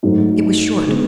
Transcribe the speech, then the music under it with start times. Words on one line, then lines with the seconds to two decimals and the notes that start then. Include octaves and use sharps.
It was short.
0.03 G#2 F#3 A3
0.87 D3 G#3 B3